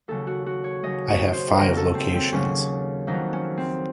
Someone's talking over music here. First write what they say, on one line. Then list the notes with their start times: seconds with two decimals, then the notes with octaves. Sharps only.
I have five locations.
0.08 D#2 C#3 F#3 A4
0.27 F#4
0.46 F#4
0.64 C#5
0.83 D#2 C#3 F#3 D#5
1.08 C#5
1.33 C5
1.58 D#2 C#3 F#3 A#4
1.77 A4
1.95 C4
2.14 C4
2.32 D#2 C#3 F#3 C#4
3.07 F2 D#3 F#3 D#4
3.33 C#4
3.57 C4